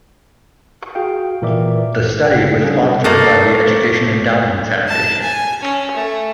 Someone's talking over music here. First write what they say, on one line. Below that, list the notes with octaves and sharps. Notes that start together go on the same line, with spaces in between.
The study was sponsored by the Education Endowment Foundation.
F#4 G#4 F5 G5
A#2 E3 A#4 D5 E5 D6
F#6
G1 C#3 F5 G5
G3 C#4 D4 G#4
A3 A#3 A4
A5
G#5
C#4
A3